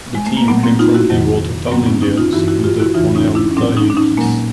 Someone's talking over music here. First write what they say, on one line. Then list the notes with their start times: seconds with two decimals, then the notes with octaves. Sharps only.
The team came from the Watertown Indians and the Oneonta Yankees.
0.15 G#3
0.27 A3
0.37 A#3
0.48 A#2 F#3 A3 B3
0.63 A#3 C4
0.79 D#4 F4
0.94 E4 F#4
1.10 F2 C3 D#3 F#3
1.67 B3
1.71 F#2 D3 F#3 A#3 C4
1.86 B3 C#4
2.02 C#4 D#4
2.18 D#4 F4
2.33 G2 E3 E4 F#4
2.48 E4 F#4
2.64 F4 G4
2.79 E4 F#4
2.94 F2 C#3 E3 D#4 F4
3.15 C#4 D#4
3.35 D4 E4
3.51 C#4
3.57 A2 F#3 C4 D4
3.77 C#4 D#4
3.90 D4
3.97 C#4 D#4
4.17 A#2 F#3 G#3 A#3